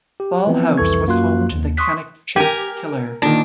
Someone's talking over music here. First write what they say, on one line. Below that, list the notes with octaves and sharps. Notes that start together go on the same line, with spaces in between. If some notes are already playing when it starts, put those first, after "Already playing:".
Ball House was home to the Cannock Chase Killer.
G4
E3 F3 B3 C4
C2 F2 E3 A4 C#6 G#6
F#2 A#3 F4 F#4 C6 F#6
D#2
C6 C#6 D#6 F#6 B6
G4 A#4 G#5
A#2 D#3 D4 A#5